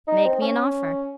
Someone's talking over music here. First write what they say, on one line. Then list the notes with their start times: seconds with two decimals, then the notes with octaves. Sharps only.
"Make me an offer."
0.07 D#4
0.25 C4
0.41 C#4